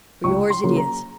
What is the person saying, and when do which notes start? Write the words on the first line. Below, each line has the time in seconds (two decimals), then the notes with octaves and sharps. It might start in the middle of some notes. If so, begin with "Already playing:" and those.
For yours it is.
0.24 C#2 C#6
0.50 C6
0.64 C#3 F#3 A#3
0.77 A#5